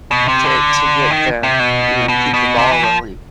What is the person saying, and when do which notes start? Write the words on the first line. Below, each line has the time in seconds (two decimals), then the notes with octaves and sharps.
to to get the you know, to keep the ball rolling.
0.11 B2
0.28 C3
0.44 D3
1.11 D#3
1.43 C3
1.59 B2
2.09 B2
2.34 B2
2.58 C3
2.71 E3
2.83 F3